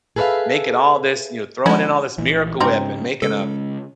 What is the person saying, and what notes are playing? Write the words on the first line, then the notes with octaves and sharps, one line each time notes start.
making all this you know, throwing in all this Miracle Whip, and making a
G#4 A4 B4 C#5 E5 F5
F3 F#3 G#3 C#4 E4
A#1 E3
G#2 C#3 G3 C4 D#4
C#3 G#3 A4